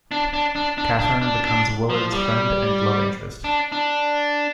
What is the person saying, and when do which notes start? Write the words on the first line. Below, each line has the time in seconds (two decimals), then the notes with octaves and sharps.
Cathryn becomes Willard's friend and love interest.
0.11 D4
0.33 D4
0.55 D4
0.78 D4
0.99 D4
1.21 D4
1.45 D4
1.90 F3
2.12 G3
3.44 D4
3.72 D4